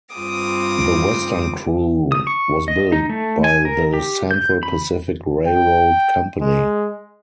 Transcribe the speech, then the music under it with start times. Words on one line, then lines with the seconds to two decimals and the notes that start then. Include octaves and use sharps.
The western crew was built by the Central Pacific Railroad Company.
0.15 G2 C4 F4 D6 D#6
2.12 D#6
2.27 C#6
2.68 D#5
2.92 D#4
3.09 A3
3.44 G#5
3.65 A#4
3.94 G4
4.31 G6
4.63 B5
5.47 G5
6.41 G#3